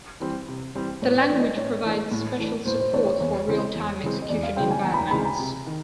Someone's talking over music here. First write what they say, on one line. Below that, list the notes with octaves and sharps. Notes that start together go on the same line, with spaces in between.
The language provides special support for real-time execution environments.
E3 G3 C4
C3
E3 G3 C4
A2 C#5
D5
E3 A3 D4
D#5
A2 C#5
E3 A3 D4
A2
E3 A3 D4
A2 C5
C5
E3 A3 D4 C#5
C#5
E2 C#5
C#3 E3 G#3 C4
E2
C#3 E3 G#3 C4
D#5
E2 D5
F5
C#3 E3 G#3 C4 G5
G#5
E2 A#5
B5
A#5
C#3 E3 G#3 C4 B5
A#5
C3
D#3